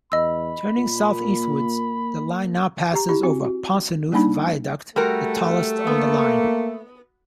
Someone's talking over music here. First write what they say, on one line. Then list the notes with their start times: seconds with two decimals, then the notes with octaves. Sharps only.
Turning south-eastwards, the line now passes over Ponsanooth Viaduct, the tallest on the line.
0.12 E2 D#5 B5 E6
0.78 A#2 A#3
2.93 G4 A#5
3.09 E4 G4
3.23 C4 F#4
3.45 F#4
4.12 G3 A#3 D4 D#4 B5
4.96 G3 A3 F#4 A#4
5.87 A#3 B3